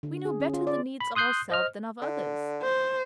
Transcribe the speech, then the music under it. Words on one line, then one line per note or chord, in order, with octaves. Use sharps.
We know better the needs of ourselves than of others.
D3
G#4
C#4
F4
D5
B5
C6 D#6 F#6 G6 C7
C5 D#5 F6
D3
C5